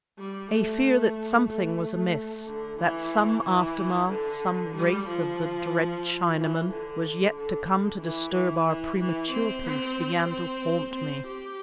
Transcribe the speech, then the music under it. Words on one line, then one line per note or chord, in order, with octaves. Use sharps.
A fear that something was amiss, that some aftermath, some wraith of the dread Chinaman, was yet to come to disturb our premature peace, began to haunt me.
G3
A3
A3
D3
E3
E3
D3
G3
F3
E3
D3
D3
E3
E3
E3
E3
C4
C4
C4
C4
G4